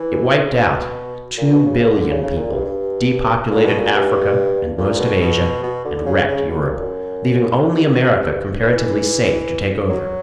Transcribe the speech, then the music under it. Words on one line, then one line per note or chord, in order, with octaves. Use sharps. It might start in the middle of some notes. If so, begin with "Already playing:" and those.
It wiped out two billion people, depopulated Africa and most of Asia, and wrecked Europe, leaving only America comparatively safe to take over.
Already playing: E3
C#3
B2
A#2
B2
C#3
C#3
D3
D3
C#3
C#3
A#2
G2
G2
A#2
B2
A#2
G2
A#2
B2
B2
B2
D3
C#3
C#3
B2
G2
A#2
F#2
G2
E3
F#3